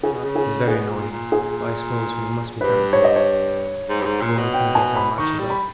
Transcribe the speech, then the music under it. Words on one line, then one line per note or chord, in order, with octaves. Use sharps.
It is very annoying, but I suppose we must be thankful when we can get our marches off.
C#3 G#4
B2
C#3
G#4
B2 G#4
A#2
A#2
G#4
G2 B4
C#5
D#5
C#5
G#2
G2
G#2
A#2
B2
G5
G#5
B5
D#3 C#6
G3
B5